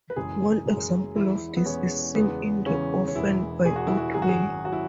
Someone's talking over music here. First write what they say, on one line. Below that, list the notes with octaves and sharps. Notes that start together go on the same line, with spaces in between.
One example of this is seen in The Orphan by Otway.
B4
F#1 F#2 E3 G#3 G#4
F#1 F#2 E3 G#3
E2 E3 G#3 E4
B3
E2 E3 G#3 C#4
E2 C#3 E3 G#3 B3
E2 C#3 E3 G#3 C#4
C#4
E1 E2 E3 G#3 E4
E1 E2 E3 G#3 G#4
F#4
E4
F#4
G#1 F#2 F#3 G#4
F#4
G#4
F#3 F#4
E4